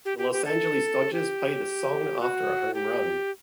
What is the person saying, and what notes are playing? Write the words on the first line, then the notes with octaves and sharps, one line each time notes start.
The Los Angeles Dodgers play the song after a home run.
G4
G4
G4
A4
G4
F#4
G4